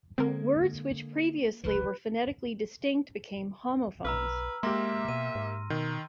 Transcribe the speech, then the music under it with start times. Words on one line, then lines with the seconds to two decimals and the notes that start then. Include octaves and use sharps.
Words which previously were phonetically distinct became homophones.
0.18 D3 G#3 A#3 C4 A#4
1.64 F1 C#2 F3 B4
4.05 B1 B4 A#5 E6 F6
4.63 G#3 A#3 G4 E5 C6 A#6
5.08 B2 D#7
5.35 G#2
5.70 B2 D#3